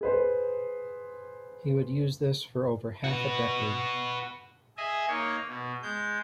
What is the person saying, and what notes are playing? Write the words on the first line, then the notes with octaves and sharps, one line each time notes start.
He would use this for over half a decade.
G#4 B4 C5
F#4 B4
G#4 D#5 E5 G#5
A#3 D#4 C#5
B2
G#3 G6